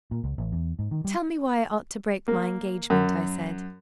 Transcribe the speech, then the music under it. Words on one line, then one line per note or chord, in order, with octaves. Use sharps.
"Tell me why I ought to break my engagement," I said.
A#2
C#2
A1
E2
G#2
D#3
G3
A#3
F#2